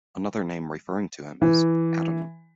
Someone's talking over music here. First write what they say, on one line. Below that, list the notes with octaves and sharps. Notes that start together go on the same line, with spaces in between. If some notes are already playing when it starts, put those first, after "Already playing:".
Another name referring to him is "Adonim".
E3